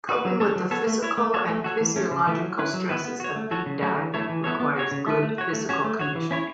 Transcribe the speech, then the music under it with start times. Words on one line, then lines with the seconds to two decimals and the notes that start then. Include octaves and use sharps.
Coping with the physical and physiological stresses of deep diving requires good physical conditioning.
0.09 F#4 B4
0.25 F#3
0.40 C#4 A4 C#5
0.56 F#3
0.71 B3 A4 C#5
0.87 A3
1.02 E4 C#5
1.18 A3
1.34 F#4 A4 C#5
1.49 A3
1.64 F#4 A4 C#5
1.81 E3
1.96 A3 C#4
2.11 C#3
2.27 E3 A3 E4
2.42 F#3
2.59 C#4 E4 B4
2.73 F#3
2.89 B3 E4 B4
3.05 B3
3.20 F#4 C#5
3.36 A3
3.51 F#4 A4 C#5
3.66 C#3
3.83 F#3 A3 C#4 F#4
3.98 E3
4.14 A3 E4 A4 C#5
4.29 E3
4.44 B3 E4 A4 C#5
4.60 B3
4.76 F#4 C#5
4.91 C#3
5.06 A3 E4 B4
5.23 A3
5.38 F#4 C#5
5.53 A3
5.69 C#4 F#4 C#5
5.84 A3
5.99 F#4 C#5
6.15 E3
6.31 C#4 E4 C#5